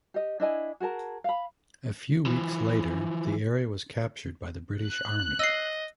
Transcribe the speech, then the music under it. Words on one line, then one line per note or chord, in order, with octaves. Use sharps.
A few weeks later, the area was captured by the British Army.
G4 D#5
D4 E4 D#5 G#5
F#4 G#4 A#4 A5
F5 B5
E3 F3
F#6
D#5 E6 C7